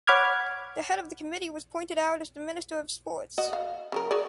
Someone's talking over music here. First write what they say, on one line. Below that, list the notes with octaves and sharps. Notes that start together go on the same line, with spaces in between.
The head of the committee was pointed out as the Minister of Sports.
C#5 F#5 B5 D6 F6 G#6
F#4 D#5
F5
C#3 F#3 A#4
F#4 G#4 D5